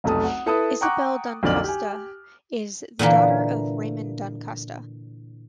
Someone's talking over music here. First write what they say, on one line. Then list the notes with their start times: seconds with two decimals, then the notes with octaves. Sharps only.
Isabel Da Costa is the daughter of Raymond Da Costa.
0.04 F1 B1 A3 A5 D#6
0.24 F#5
0.46 E4 A4 B4 A5 D#6
0.81 F#5 G5 A#5 C#6 D6 F#6
1.43 B1 F2 D3 D5 F6 F#7
1.64 G4 G#5
2.99 A#2 D3 E3 A#3